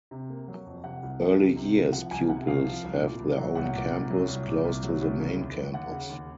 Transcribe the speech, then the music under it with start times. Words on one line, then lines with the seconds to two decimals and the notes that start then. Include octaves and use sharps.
Early years pupils have their own campus, close to the main campus.
0.11 C3
0.29 A#3
0.48 F#3
0.66 F2
0.84 C3 F#5
1.02 C2
1.20 F3
1.38 C2
1.56 C3
1.75 C2
1.92 F3 F#5
2.11 C2 G#5
2.29 C3 F#5
2.47 C2 F5
2.66 F3
2.84 C2
3.02 A#2
3.19 C2
3.38 F#3
3.55 C2 F#5
3.74 A#2
3.92 C2
4.10 F#3
4.28 C2
4.47 A#2
4.65 C2
4.83 F#3
5.01 C2
5.19 C#3
5.38 D#2
5.55 F#3
5.73 D#2 F#5
5.91 C#3
6.09 D#2